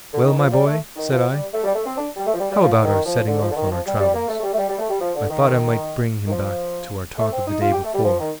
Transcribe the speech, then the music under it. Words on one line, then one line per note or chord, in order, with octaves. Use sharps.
'Well, my boy,' said I, 'how about our setting off on our travels?' I thought I might bring him back to our talk of the day before.
D3
D#3
F3
G3
A3
D#3
F3
G3
A3
G3
A3
C4
D4
G3
A3
F3
G3
G3
F3
D3
D#3
F3
D3
F3
D3
D#3
F3
G3
G3
A#3
A3
A3
G3
A3
G3
G3
A3
G3
F3
D3
D#3
D#3
F3
A3
C4
D#4
F4
G4
A3
G3
F3
D#3